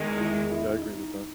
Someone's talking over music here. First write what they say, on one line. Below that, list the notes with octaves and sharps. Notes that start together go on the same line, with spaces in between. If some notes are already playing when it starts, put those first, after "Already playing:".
Yeah, I agree with that.
Already playing: E2 D#3 G#3
E4
E4
D#4
E4
D#4